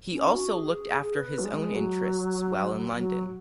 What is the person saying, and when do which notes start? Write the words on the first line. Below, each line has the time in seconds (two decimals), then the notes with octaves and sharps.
He also looked after his own interests while in London.
0.13 C#4
0.33 F#4
0.54 G#4
1.14 B4
1.39 F#3
1.45 G#3
1.75 F#3
2.96 F#3